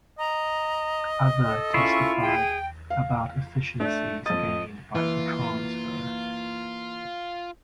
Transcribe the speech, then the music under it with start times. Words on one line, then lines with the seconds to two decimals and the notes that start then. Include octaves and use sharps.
Other testified about efficiencies gained by the transfer.
0.19 D#5 A#5
1.46 A4
1.74 C#2 C#4 E4 F4 C#6
2.21 G#4 G5
2.90 F5
3.80 A3 D4
4.26 F2 D#5 A6
4.95 E3 A#3 F4